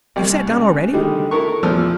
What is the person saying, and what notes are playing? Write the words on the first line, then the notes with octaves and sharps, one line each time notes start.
You've sat down already?
C2
C#2
D3 D#3 G3 G#3
E4 A4 A#4 C#6
E2 A#2 F3 E6 F6